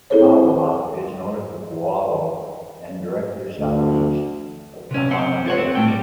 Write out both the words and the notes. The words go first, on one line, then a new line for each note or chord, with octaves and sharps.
Kaaawa is north of Kualoa and directly southeast of Kahana Bay.
C4 E4 G#4 A4 C5 C#5
D2
C3 C#4
C4 C5 F#5
F4 C#5 F#5
C4 C#5
A2 A3 G5
G3